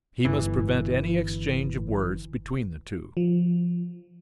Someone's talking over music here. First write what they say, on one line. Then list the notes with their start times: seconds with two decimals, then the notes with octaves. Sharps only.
He must prevent any exchange of words between the two.
0.25 G1 E3
3.17 F3